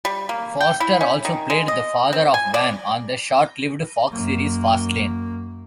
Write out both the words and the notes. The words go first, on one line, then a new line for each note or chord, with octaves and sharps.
Forster also played the father of Van on the short-lived Fox series "Fastlane".
G3
A#3
G5
E4
C#4
D#3
G#3
D#5
C4
G#5
D5
F#2 A#3